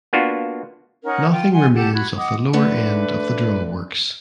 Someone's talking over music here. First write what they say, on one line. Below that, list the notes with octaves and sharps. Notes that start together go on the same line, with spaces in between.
Nothing remains of the lower end of the draw works.
A#3 B3 D4 F4 F#4
C#4 D#4 A#4 F#5
F4 G5
F#5 G#5 C6
G4 A4 F#5 A5
F#4 B5 G#6
D#5 F#5 D6 D#6
D3 A3 D4 B4 F#5